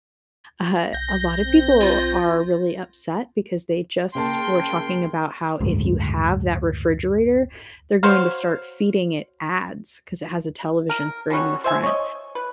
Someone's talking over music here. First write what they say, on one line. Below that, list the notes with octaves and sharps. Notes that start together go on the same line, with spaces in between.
uh, a lot of people are really upset because they just were talking about how if you have that refrigerator, they're going to start feeding it ads, 'cause it has a television screen in the front,
B1 G6 A#6
C4
F4
C#3 A#3 G5 A5 C6
F#1 D2 G#2
F#4 C5 C#5 F5
A#4
D3 G3 C#4 F#4
C5 E5 G#5
C#5 D#5
B4